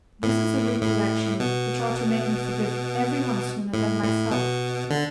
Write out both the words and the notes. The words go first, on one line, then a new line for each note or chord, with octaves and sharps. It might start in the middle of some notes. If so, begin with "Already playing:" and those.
This is a recollection which ought to make me forgive every one sooner than myself.
A2
A2
B2
A2
A2
B2
D3